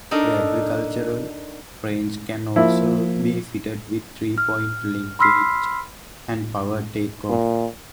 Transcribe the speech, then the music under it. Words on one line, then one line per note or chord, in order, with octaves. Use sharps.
The agricultural range can also be fitted with three point linkage and power take-off.
D4 D#4 A4 A#4
F3 A#3 E4
F6
B5 C6 E6 F6 B6 C7
A#2